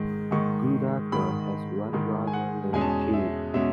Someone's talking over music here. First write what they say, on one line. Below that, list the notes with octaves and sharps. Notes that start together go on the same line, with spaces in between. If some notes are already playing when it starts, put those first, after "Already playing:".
Goodacre has one brother named Tim.
Already playing: G#2 D#3 G#3
G#2 D#3 G#3 C#6
G#2 D#3 G#3 B5
G#2 D#3 G#3
G#5
F#5
E2 B2 G#3 C#4 G#5
A5
G#5
E5
B2 G#3 C#4 E5